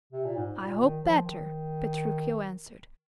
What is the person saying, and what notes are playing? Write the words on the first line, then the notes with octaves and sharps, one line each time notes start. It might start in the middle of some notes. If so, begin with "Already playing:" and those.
"I hope, better," Petruchio answered.
C3
A#2
G#2
A#2
D#3
F3
D#3